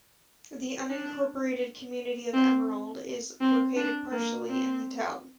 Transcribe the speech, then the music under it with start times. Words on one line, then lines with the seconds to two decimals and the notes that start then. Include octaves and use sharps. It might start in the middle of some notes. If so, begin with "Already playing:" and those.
The unincorporated community of Emerald is located partially in the town.
0.90 D4
2.34 C4
3.41 C4
3.77 D4
4.12 A#3
4.49 C4